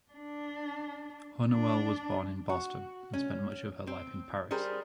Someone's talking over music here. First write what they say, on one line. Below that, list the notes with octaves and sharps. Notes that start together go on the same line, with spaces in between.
Hunnewell was born in Boston and spent much of her life in Paris.
D4
D4
F#4
C#4
C4
G3 G#4 A#4 C5